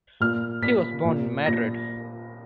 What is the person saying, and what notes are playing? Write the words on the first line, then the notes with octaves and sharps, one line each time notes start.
He was born in Madrid.
A#2 F6
A#2 B6
A#2
A#2 A#6